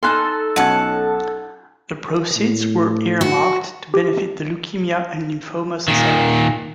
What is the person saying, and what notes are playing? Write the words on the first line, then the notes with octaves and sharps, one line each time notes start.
The proceeds were earmarked to benefit The Leukemia and Lymphoma Society.
D#4 E4 A4 G#5 C6 F6 F#6
B1 C#4 F#5 A5 G#6
A2
F#4
G4
A#2 D#3